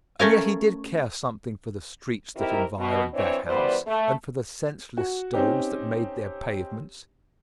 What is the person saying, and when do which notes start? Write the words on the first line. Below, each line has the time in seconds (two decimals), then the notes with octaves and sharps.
And yet he did care something for the streets that environed that house, and for the senseless stones that made their pavements.
0.20 A3 C#4 A#4 F5
2.36 D#3 C4 E4 G4 A#4
2.78 B2
3.14 E3 C4 D4 C#5
3.46 F#2 E3 G3 B3 C5 D5
3.87 A3
4.98 F#4 F#5
5.33 C4 C#4 D#4 G4